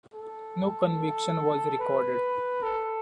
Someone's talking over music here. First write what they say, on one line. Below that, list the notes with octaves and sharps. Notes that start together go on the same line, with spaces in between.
No conviction was recorded.
A4
B4
A4